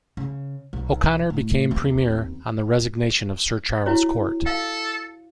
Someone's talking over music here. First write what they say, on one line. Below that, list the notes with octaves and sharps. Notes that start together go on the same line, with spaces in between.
O'Connor became Premier on the resignation of Sir Charles Court.
C#3
B1
A2
D#2 C4
E4 F#4 C#5
A4 F5